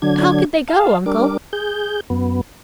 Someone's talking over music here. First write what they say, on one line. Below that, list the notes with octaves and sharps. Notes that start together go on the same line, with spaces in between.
"How could they go, Uncle?"
D3 F#3 D4 G#6
F5 A5
G3 D4 A#4 D6
G#4 G6
F#2 B3